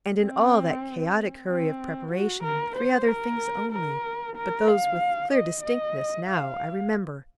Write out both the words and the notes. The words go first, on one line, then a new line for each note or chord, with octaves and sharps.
And in all that chaotic hurry of preparation, three other things only, but those with clear distinctness now, I remember.
C4
C4
F#4
A#4
C5
A#4
A#4
A#4
F5
D#5
D#5
F5